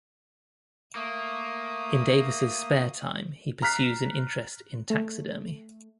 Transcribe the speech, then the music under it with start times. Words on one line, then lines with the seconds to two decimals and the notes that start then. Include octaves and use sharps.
In Davis's spare time, he pursues an interest in taxidermy.
0.96 A3 A#3 D#6
3.62 A#5 F6 F#6 B6 C7
4.90 A3